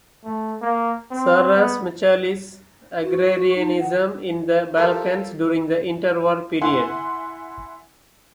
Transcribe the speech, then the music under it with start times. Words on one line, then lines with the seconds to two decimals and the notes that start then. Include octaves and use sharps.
Sarras Michalis, Agrarianism in the Balkans during the Interwar Period.
0.25 A3
0.62 A#3
1.11 C4
1.56 B3
3.04 F#4
3.55 D#4
3.80 F#5
4.77 F4 G4 A4 A#4
6.62 E4 E5 F#5 G#5 C6